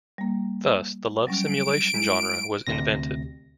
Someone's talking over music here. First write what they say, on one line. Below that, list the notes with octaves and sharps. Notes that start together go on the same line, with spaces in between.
Thus, the love simulation genre was invented.
G3 A#3
F#3 G3 C#4 D7
G#3 E4
D2 C3 A#6